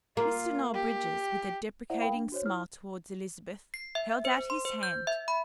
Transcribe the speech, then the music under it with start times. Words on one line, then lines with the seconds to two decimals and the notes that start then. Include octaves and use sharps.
Mr. Noel Bridges, with a deprecating smile towards Elizabeth, held out his hand.
0.17 A#3 F4
0.74 G4
1.90 E4 C5 D5 E5 F#5
2.01 A#4 F5 G5 B5
2.15 D4
2.32 F#4 C5 C#5
2.46 E4 F6
3.74 C7
3.95 E5
4.25 C5
4.50 C6
4.65 C5
4.83 G6
5.07 E5
5.28 B5